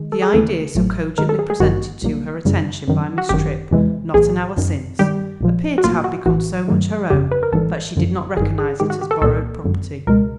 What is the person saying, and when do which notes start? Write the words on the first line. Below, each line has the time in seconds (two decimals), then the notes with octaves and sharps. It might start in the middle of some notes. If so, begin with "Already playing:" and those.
The idea so cogently presented to her attention by Miss Tripp not an hour since appeared to have become so much her own that she did not recognise it as borrowed property.
Already playing: D#3 G#3
0.12 A4
0.22 G#4
0.34 D#2 C#3 E3 A3 A4
0.75 A1 A2 F#3 A3
1.18 G#2 D#3 G#3 A#4
1.29 A4
1.39 G#4
1.50 G#4
1.60 G#1 G2 D#3 G3 A#3 F#4
2.02 B1 A#2 G3 A#3
2.45 G1 F#2 C#3 E3 G3
2.88 F#2 D#3 F#3
3.18 F#4
3.29 G#1 F#2 D#3 G4
3.71 E2 C3 E3 G#3
4.14 B1 A2 E3 G#4
4.56 G1 F#2 D#3
4.99 G2 D#3 G3 G4
5.41 A#1 A#2 F3
5.78 F#4
5.84 B1 A2 F#3 A#3 F4
6.04 F#4
6.26 A#1 A2 E3 F#4
6.68 G2 D#3 F#3 A3
7.10 G1 F2 C#3 G4
7.31 B4
7.43 A#4
7.52 A1 G#2 E3 G3 A4
7.96 G#1 F#2 D3 F3
8.37 G1 G2 D#3 G#4
8.58 G#4
8.80 G#2 D#3 G#3 G4
8.90 F#4
9.01 G4
9.11 A4
9.21 C2 A#2 G3 A#3 A4
9.64 G#1 F#2 D3
10.07 C#2 B2 G#3 A#4